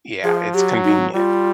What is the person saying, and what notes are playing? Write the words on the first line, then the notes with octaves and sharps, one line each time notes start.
yeah, it's convenient.
F3 G#4
F#3 G4
D#4
G3 F4